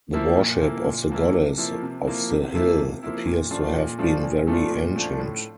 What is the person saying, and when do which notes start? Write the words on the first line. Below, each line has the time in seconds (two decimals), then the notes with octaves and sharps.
The worship of the goddess of the hill appears to have been very ancient.
0.13 F3 A#3 E4
0.37 A#2
0.61 F3 A#3 E4
0.85 A#2
1.09 F3 A#3 E4
1.33 C3
1.57 F3 A#3 E4
1.82 C3
2.06 F3 A#3 E4
2.30 C3
2.54 F3 A#3 E4
2.78 C3
3.02 F3 A#3 E4
3.26 A#2
3.50 F3 A3 D4 F4
3.75 A#2
3.99 F3 A3 D4 F4
4.23 A#2
4.47 F3 A3 D4 F4
4.71 A#2
4.96 F3 A3 D4 F4
5.19 A2